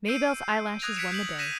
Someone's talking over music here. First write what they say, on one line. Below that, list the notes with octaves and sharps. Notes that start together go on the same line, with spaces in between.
Maybelle's eyelashes won the day.
E6 G6 C7 D7 D#7
D#6 F#6 G#6 A#6 F7
F#6 G#6 B6 C#7 D7 E7
G6 B6 F#7
F#6 A#6 B6 C#7 D#7 E7